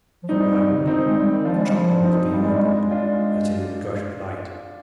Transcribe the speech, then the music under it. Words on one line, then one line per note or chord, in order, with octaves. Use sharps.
It widened; a trap-door was being opened, letting in a gush of light.
F3
G3 C4 D#4
C3
D3
D#3 C4 D#4
G#3
G3
D#3
F3 D4 F4
G#3
G3
F3
C4 D#4
G3 D4 F4
G#3
G3
G#3
D4 F4